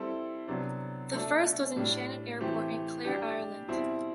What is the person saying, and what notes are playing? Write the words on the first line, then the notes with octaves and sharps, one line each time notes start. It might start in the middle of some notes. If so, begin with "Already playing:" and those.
The first was in Shannon Airport in Clare, Ireland.
Already playing: G3 C4 E4 A4
C3 F#3 B3 D4
B2 A3 D4 A4
A2 G3 D4
E3 A3 C4 G4
G3 D4 G4
B2 G3 C4 E4